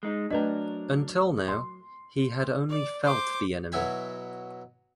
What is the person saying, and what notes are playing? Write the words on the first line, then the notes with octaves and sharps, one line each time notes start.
Until now, he had only felt the enemy.
G#3 D#4
F#3 A3 D4 A#4 B4 D#5
C6
D5
C5 D6
B2 F#3 E4 G#5 B5